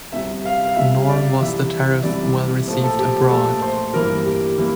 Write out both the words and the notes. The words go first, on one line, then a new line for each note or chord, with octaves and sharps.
Nor was the tariff well received abroad.
C2 C3 G3 E5
F5
F5
C2 C3 G3 E5
D5
C2 C3 E3 G3 E5
C2 C3 E3 G3 D5
A#2 F3 A3
A4
G4
A#2 F3 A3 A4
C5
G2 E3 G3 A#3 A#4
G4
E3 G3 A#3